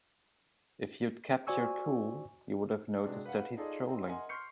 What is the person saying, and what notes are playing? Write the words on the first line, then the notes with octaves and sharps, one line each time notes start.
If you'd kept your cool, you would've noticed that he's trolling.
F#4 C5 D5 G#5 C#6 E6
C3 G#3 D4 F#4
B4 F5 F#5
D#4 F4 G#4 A4 D5 D#5
C4 D#5
A#4 D#5 E5 F#5 G#5 C6
C6 C#6 F6 G6 C7 C#7